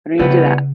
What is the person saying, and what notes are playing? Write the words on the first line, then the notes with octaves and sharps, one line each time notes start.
I don't even do that.
C#3 E3 G3 B3